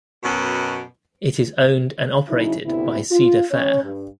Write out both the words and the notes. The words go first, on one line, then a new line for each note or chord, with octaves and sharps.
It is owned and operated by Cedar Fair.
F#2 B2
C#3 F#3 D#4 E4
D2 A2 C3 B3 E4
F4
C#4 C#5
G2